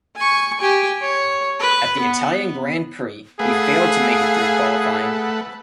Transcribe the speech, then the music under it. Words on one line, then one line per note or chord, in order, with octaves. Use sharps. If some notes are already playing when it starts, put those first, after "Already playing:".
At the Italian Grand Prix he failed to make it through qualifying.
G#5 C#6
G4 G#5
C#5
B4
B3
A3 G#4 B4 F5 F#5